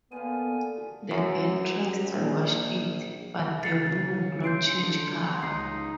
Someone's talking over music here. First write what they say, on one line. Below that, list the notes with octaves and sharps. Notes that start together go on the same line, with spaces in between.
The girl tries to wash it, but the wool would not change color.
A#2 D3 B3 F5 G#5
F#2
A#1
C#3 A6 C7 C#7
C6 G6 C7 D7
D3
C#2 D#4 C7